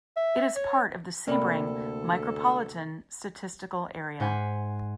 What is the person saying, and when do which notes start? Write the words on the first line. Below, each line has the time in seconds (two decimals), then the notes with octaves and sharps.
It is part of the Sebring Micropolitan Statistical Area.
0.17 E5
0.56 C#5
1.28 D2 C3 A#3 A4 D5 B5
4.20 G#2 C5 F#5 G#5 B6